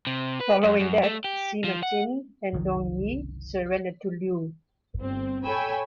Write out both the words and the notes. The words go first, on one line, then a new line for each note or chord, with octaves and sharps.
Following that, Sima Xin and Dong Yi surrendered to Liu.
C3
B4
F#2
F#2
A3
G4
F3
F#5
F#1 C2 D#3 F#3
G1 C4
A4 C#5 G5 G#5 B5 E6